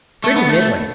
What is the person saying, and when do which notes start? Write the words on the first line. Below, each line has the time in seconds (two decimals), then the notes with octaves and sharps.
"Pretty middling."
0.24 A3
0.36 B3
0.49 A3